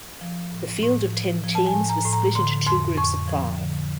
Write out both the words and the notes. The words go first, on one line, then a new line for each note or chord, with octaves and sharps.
The field of ten teams was split into two groups of five.
F3
A2
A2
F3
F3
A5
G#5
A2
A#5
A2
A#5
D3 C6
F2 C6
F2 C#6
F3
D3